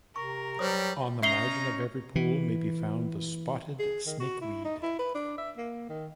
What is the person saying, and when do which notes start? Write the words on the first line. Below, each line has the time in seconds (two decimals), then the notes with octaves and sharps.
On the margin of every pool may be found the spotted snakeweed.
0.16 C3 A#4 C#6
0.59 F#3 G3 B4 C5 D#6
1.23 C#4 D#4 D#5 E5 A#5 C7 G7
2.16 E3
3.79 G#4
4.06 D#3
4.20 F#4
4.41 E4
4.65 D#4
4.82 E4
4.99 B4
5.15 D4
5.38 E5
5.57 A#3
5.89 D#3